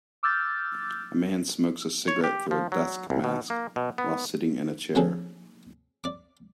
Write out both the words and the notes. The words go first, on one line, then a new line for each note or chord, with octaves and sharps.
A man smokes a cigarette through a dusk mask while sitting in a chair.
D6 E6 F6 G6 A6
C#5
G4
F3
F#3
C2
B2
A#3
B2
B3
D3 F3 C4 C#4 G#4 A4
D5 D6